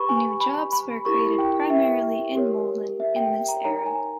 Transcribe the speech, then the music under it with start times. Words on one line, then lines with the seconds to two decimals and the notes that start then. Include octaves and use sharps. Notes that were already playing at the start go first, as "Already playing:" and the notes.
New jobs were created primarily in Moline in this era.
Already playing: G4 B4 B5 C#6
0.09 G#5
0.40 B5
0.72 B5
1.05 E4 G4 A#4 C#6
1.38 G5
1.70 E5
2.35 G4 A#4 C#5
3.00 E5
3.16 G5
3.48 A#5
3.64 D#4 A#4 C#5 A#5
3.86 G#5